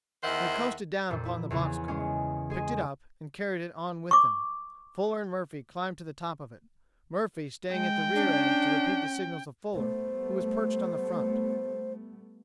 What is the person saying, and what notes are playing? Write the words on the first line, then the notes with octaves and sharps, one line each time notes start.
They coasted down upon the box-car, picked it up and carried it on with them. Fuller and Murphy climbed to the top of it; Murphy, staying at the rear end to repeat the signals of Fuller, who was perched on the front.
E2 D#3 C5 E5 F#5
F2 A#2
E4
E2 C#3 E3
G#3 C#4
G#3 G#4
C#6 D6
G#3 G5
C#4 D4
G3 A3 B3 C5